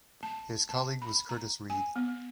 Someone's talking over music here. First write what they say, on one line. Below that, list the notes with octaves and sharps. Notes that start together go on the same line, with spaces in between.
His colleague was Curtis Reid.
A5
A5
B5
A#5
G#5
B3